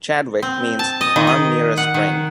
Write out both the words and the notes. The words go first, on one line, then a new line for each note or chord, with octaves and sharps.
Chadwick means 'farm near a spring'.
C4
A5
D#5
D#3
D#5
F#5
D#3